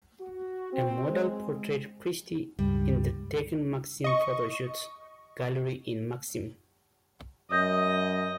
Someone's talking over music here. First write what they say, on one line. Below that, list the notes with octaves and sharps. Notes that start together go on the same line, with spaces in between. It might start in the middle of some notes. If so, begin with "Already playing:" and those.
A model portrayed Christie in the "Tekken Maxim Photoshoot" gallery in "Maxim".
F#4
C4
G#3
C#2 G2 G3
D#5 C#6
F#2 D#5 D#6 G6 A#6